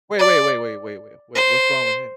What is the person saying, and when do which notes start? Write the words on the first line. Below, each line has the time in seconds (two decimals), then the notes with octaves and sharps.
Wait, wait, wait, wait, wait, wait, wait, what's wrong with him?
0.19 D5
1.35 C5